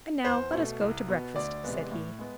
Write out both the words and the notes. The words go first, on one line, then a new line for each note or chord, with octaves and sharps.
"And now let us go to breakfast," said he.
E2 C5
B2 A3
C2
B2 B3
D2 D5
C3 E3 G#3 B3
A2
G#3 B3